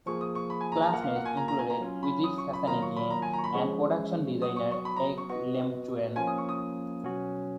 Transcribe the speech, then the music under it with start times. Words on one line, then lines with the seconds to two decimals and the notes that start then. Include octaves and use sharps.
Classmates included Wisit Sasanatieng and production designer Ek Iemchuen.
0.06 F3 A#3 F4 G#4 C#6
0.21 D#6
0.35 C#6
0.50 B5
0.61 G#5
0.72 A#5
0.82 A#5
0.93 A#3 F4 A#4 F#5
1.04 F5
1.16 F#5
1.26 G#5
1.37 A#5
1.48 A#5
1.59 G#5
1.70 A#5
1.80 F#3 C#4 F4
2.03 B5
2.24 D#6
2.38 C#6
2.53 B5
2.67 D#3 F#3 A#3 F4 A#4 A#5
2.82 C#6
2.97 B5
3.11 A#5
3.22 G#5
3.33 A#5
3.38 C#6
3.44 B5
3.54 F3 G#3 C#4 G#4 C#6
4.42 F#3 B3 F#4 D#6
4.56 C#6
4.71 C#6
4.85 B5
4.96 A#5
5.18 C#6
5.29 B3 F#4 B4 D#5 C#6
6.16 F3 A#3 C#4 F4 G#5
6.27 D#6
6.38 C#6
6.49 D#6
7.03 B2 F#3 C#4 F#4